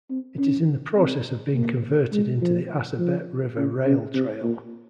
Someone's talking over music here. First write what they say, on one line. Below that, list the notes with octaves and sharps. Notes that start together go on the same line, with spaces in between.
It is in the process of being converted into the Assabet River Rail Trail.
C4
C#4
C4
A#3
G#3
F3
F3
C#3
C#3
C3
A#2